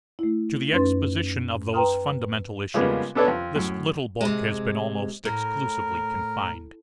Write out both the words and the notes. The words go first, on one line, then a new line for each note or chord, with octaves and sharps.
To the exposition of those fundamental issues this little book has been almost exclusively confined.
A3 E4
F#2 C#4 D#4 B4 C6 A6
B4 G5 A#5 C6 D#6 F6
C#3 F3 G3 G#3 A#3 B3
B3 D4 A4 B4 C#5 D5
F2
F#2 A2
C3 G#3
A2 A#4